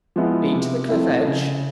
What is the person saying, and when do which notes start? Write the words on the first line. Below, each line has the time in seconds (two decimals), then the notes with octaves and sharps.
"Been to the cliff edge?"
0.16 F3 G#3 B3 E4
0.52 C3
0.89 F3 A3 C4 E4
1.25 C#3